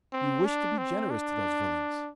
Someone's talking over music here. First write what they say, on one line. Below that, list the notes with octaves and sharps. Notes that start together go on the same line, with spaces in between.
You wish to be generous to those villains!
C4
D4
C4
D4